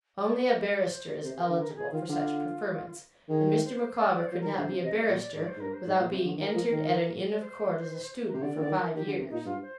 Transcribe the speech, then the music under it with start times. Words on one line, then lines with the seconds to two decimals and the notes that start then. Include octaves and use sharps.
Only a barrister is eligible for such preferments; and Mr. Micawber could not be a barrister, without being entered at an inn of court as a student, for five years.'
0.22 D5
0.34 C5
0.46 D5
0.59 D#5
0.72 D5
0.90 C5
1.07 D5
1.24 C3 C5
1.40 A#4
1.49 D3
1.58 A#4
1.70 G4
1.76 G#4
1.92 D#3 F4
2.09 D3 F4
3.29 D#3 G#4
3.47 C5
3.64 C5
3.81 C5
3.98 D5
4.15 D5
4.28 F3 C5
4.41 D#3 A#4
4.54 D3 C5
4.70 C3
4.83 C3 D#5
5.00 D5
5.09 A#2 C5
5.18 D5
5.35 G#2 D5
5.48 C5
5.56 G#2
5.60 G2 A#4
5.73 C5
5.86 G#2
5.99 A#2
6.12 C3
6.24 D3
6.37 D#3 A#4
6.54 F3
6.72 D#3
7.32 D5
7.41 C5
8.26 A#4
8.34 C3 C5
8.43 D3 D5
8.56 D#3
8.60 D3 D5
8.68 D#3
8.78 A#4
8.94 D#3 G4
9.07 D3
9.20 C3
9.29 A#2 D#4
9.45 G2 F4
9.62 C5